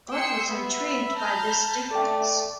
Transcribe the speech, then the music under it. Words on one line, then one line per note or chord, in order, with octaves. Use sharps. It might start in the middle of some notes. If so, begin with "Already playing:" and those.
Goethe was intrigued by this difference.
G#4 G5 C6 E6 C#7
B3 E5 B5
A5 A#5 F6 G6
A3 A4 D5 G5